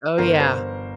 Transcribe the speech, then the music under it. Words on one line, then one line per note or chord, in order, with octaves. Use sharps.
Oh, yeah.
G1 A#4 C5
C5